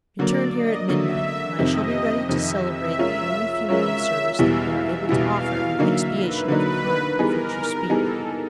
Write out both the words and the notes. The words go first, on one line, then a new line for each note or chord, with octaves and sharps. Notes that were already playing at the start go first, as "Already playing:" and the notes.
"Return here at midnight, and I shall be ready to celebrate the only funeral service that we are able to offer in expiation of the crime of which you speak."
D3 F#3 A#3 D5
D#5
D3 F#3 A#3 E5
F2 C3 D#3 D#5
F2 C3 D#3 E5
E5
G#3 C#4 F4 A#4 C#5
G#3 C#4 F4 A#4 C#5 E5
E2 B2 G3 B3 E4 F5
E5
E2 B2 G3 B3 E4 F5
D3 F#3 A#3 D#4 E5
B4
D3 F#3 A#3 D#4 B4
E3 G3 B3 D#4 G#4 A#4
E3 G3 B3 D#4 G#4 A4